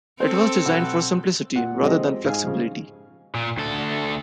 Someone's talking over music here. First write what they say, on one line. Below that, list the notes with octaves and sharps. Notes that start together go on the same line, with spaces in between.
It was designed for simplicity rather than flexibility.
C4 A4 C5
B1 F#5 F#6
A#2 F4 F#5
F3 G#3 C4 G4 A4 D#5
G#2 G#3 F5 G#5
C#3 F3
A#2
D2 A4